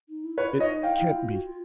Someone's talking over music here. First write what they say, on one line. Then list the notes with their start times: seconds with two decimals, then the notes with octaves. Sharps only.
It can't be.
0.08 D#4
0.23 E4
0.37 F4 B4 C#5
0.60 D#4 C#5 D#5
0.83 E4 F5 G5
0.98 E4
1.13 F4
1.28 F#4
1.43 F4